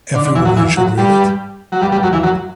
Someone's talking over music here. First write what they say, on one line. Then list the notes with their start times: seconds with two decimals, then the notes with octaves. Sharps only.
Every woman should read it.
0.15 D3
0.25 D3
0.35 E2 E3
0.45 F#2 F#3
0.56 E2 E3
0.77 F#2 F#3
0.97 G2 G3
1.72 F#3
1.81 G2 G3
1.92 G2 G3
2.03 F#2 F#3
2.13 E2 E3
2.23 F#2 F#3